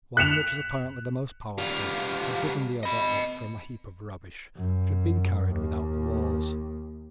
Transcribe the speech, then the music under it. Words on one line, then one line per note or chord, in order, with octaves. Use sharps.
One, which was apparently the most powerful, had driven the other off from a heap of rubbish which had been carried without the walls.
F#6 B6 C#7 E7 F7
G3 F4
D#5 B5
F#2
D#2